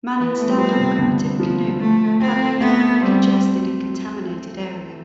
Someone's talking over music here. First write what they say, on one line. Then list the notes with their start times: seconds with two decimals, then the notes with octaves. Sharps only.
Man in stand up primitive canoe paddling in urban congested and contaminated area.
0.17 E3 B3
0.38 A3
0.48 G3
0.58 F3 C4
0.78 C3
0.99 D3
1.40 F3
1.80 A3
2.20 C4
2.60 A3 B3
3.01 G3 C4